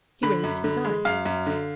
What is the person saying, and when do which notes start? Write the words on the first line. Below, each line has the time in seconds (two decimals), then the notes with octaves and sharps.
He raised his eyes.
0.23 D3 B5
0.44 F#2
0.64 D3
0.85 G#3
1.05 F#2 F5
1.25 F#2
1.46 D3